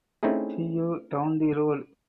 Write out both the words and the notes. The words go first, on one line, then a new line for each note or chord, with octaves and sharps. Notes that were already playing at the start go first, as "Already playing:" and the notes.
See you down the road.
A3 C4 C#4 D#4 E4 G#4